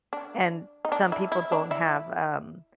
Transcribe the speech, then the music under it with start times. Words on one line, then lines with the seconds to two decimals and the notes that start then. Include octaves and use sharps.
and some people don't have, um
0.13 D4
0.85 D#4
0.92 D4
1.12 E4
1.32 E4
1.52 D4
1.71 E4